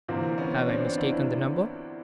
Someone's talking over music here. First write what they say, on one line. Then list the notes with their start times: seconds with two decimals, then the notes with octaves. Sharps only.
Have I mistaken the number?
0.08 D2 C3 E3 A#3 C4
0.38 B3 C#4
0.67 C4 D4
0.82 B3 C#4
0.98 D4 E4
1.13 E4